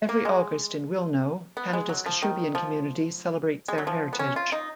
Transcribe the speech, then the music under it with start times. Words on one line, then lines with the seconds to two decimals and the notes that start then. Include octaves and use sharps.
Every August in Wilno, Canada's Kashubian community celebrates their heritage.
0.09 A#3
0.25 G#3
1.57 B3
1.73 G#3
1.89 F#3
2.06 F3
2.22 D#3
2.55 F3
3.68 G#3
3.78 F#3
3.87 F3
4.13 B3
4.19 C#4
4.36 F4
4.52 D#4